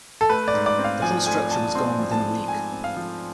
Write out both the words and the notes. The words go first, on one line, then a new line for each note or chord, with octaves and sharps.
The whole structure was gone within a week.
A4
A3 B4
D5
G#2
D5
C4
F5
F3 G#5
A3 G#5
G#2 A5
C4 C6
F3
A5
A3
G#2 G#5
C4
F5
F3